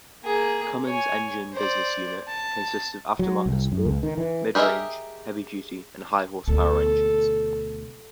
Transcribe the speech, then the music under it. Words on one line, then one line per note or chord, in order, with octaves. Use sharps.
Cummins Engine Business Unit consists of Aftermarket support, Mid-Range, Heavy-Duty, and High-Horsepower Engines.
A#3 G#4
C#5 G#5
C5 D5
A5
F#3
C2
F#2
C#2
D#3
E3
G4 G#4 A#4 D#5 E5
D2 B2 A4